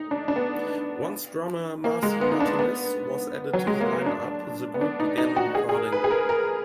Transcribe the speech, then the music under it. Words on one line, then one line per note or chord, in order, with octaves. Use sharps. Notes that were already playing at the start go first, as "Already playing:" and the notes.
Once drummer Marci Martinez was added to the line-up, the group began recording.
Already playing: D#4
D4
D4
B3
A#3
G#3
B3
D#4
D4
B3
F#3
G#3
A#3
B3
D4
B3
D4
D#4
D#4
F#4
G#4
G#4
A#4
B4
G#4
A#4
A#4